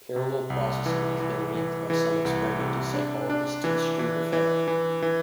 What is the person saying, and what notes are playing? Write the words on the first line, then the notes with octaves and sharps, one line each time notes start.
Parallel processing has been linked, by some experimental psychologists, to the Stroop effect.
C3
C2
E3
E3
E3
E3
C2
C3
D4
D4
E3
E3
E3
E3
E3